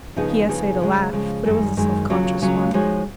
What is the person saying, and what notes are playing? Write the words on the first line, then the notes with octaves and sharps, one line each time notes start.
He essayed a laugh, but it was a self-conscious one.
C#3 F3 B3 D#4 G#4
C#3 F3 B3 D#4 G#4
C#3 F3 G#3
C#3 F3 G#3
F#2 D#3 G#3
F#2 D#3 G#3
D#2 C#3 F#3 C#4 F4
D#2 C#3 F#3 C#4 F4
F3 G#3 D#4 F#4 C#5